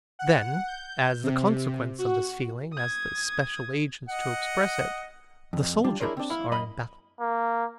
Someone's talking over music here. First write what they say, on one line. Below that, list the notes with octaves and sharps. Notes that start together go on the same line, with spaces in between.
Then as the consequence of this feeling, as the special agents to express it, the soldiers are in battle.
F#5
G6
C3
F#4
D#6 G#6
D#5 F#5
F2
G3 D4 F4
D4 E4 G#4 A#4 C5 C#5
C4 D4
E4 F5
F#2 A#3 D#5 B5
A#3